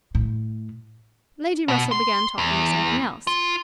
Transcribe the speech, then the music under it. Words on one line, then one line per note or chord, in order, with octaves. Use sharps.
Lady Russell began talking of something else.
A2
B2
C6
E2
F4